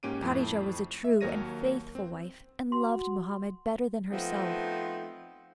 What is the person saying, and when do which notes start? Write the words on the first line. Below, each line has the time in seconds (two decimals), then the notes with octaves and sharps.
Kadijah was a true and faithful wife and loved Mohammed better than herself.
0.03 G#2 A#3 C#4 G4 D7 D#7
0.22 F2 A2
1.04 E5
1.21 D#2 F#3 A#4 C#5 A#6 D#7
1.95 C4
2.72 F#4 C6
4.11 F3 A3 B3 C4 D#4